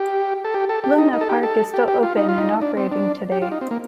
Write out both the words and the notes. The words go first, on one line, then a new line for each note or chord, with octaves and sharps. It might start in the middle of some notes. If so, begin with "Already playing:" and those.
Luna Park is still open and operating today.
Already playing: G4
A4
G4
A4
G4
D#4
D#4
A4
G4
A4
G4
G4
F4
D#4
F4
D#4
D4
C4
D4
G4
F4
D#4
C4
A#3